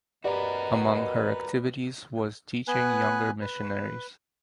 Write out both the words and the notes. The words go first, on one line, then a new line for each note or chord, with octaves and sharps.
Among her activities was teaching younger missionaries.
D#2 B2 F#4 G4 A#4 B4 D5 D#5
B3 B4 G#5 F#6
B4